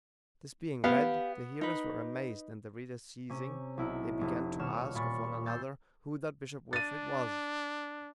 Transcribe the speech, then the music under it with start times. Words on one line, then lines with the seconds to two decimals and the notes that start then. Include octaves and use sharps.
This being read, the hearers were amazed, and the reader ceasing, they began to ask of one another, who that Bishop Wilfrid was.
0.84 B3 G4 F5
1.61 D#4 B4
3.29 C3 C#4
3.78 B1 E4
4.21 F1
4.59 D#1 B2 C#5 F6 E7
4.95 A#2 B5 C#6 A6
5.46 C6 E6 G6 A6
6.73 D4 A6 D#7